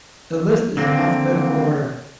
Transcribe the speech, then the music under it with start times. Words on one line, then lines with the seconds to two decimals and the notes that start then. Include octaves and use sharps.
The list is in alphabetical order.
0.77 D3 A#3 C4